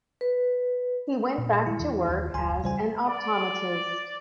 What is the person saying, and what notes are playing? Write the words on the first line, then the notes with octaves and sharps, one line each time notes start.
He went back to work as an optometrist.
B4
A#2
F#3 G#3 E4
E2 E3
D#2
F1 D2 G#5 C6
E2 C#3 G3 C5 G#5
D5